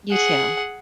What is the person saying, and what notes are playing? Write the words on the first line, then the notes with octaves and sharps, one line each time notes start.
You too.
G#4 F#5